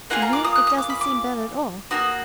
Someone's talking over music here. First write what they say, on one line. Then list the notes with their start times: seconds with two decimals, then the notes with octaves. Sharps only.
To me, it doesn't seem bad at all.
0.10 A#3 F4 G#4 F#5
0.22 A#5
0.33 D6
0.44 D#6
0.56 F#6
0.67 D#6
0.78 D6
0.90 B5
1.01 D6
1.91 A#3 D#4 F#4 D#6